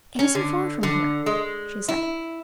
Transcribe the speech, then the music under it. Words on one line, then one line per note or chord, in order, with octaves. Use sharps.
"It isn't far from here," she said.
C#4
D3
D3
G#3
E4